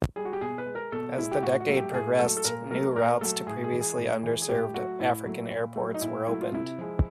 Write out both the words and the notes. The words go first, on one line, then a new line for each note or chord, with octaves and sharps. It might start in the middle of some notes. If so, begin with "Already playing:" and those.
As the decade progressed, new routes to previously under-served African airports were opened.
G3 G#4
F#4
G4
B2 G#4
B4
G#3
A#4
B2 A4
G#3 E4
G4
A2 F#4
F#4
F#3 A3
G4
A2 G#4
F#3 A3 A4
A4
A#2 A#4
F#3 A3 A#4
A#2 A#4
F#3 A3 A4
A2 G#4
G#4
E3 G#3
G#4
A2
E3 G#3
G#4
A2 G4
F#3 A3 F#4
A2 E4
F#3 A3
A#2
F#3 A3
D#4
A#2 E4
F#3 A3 E4
F4
C3 E4
F3 G#3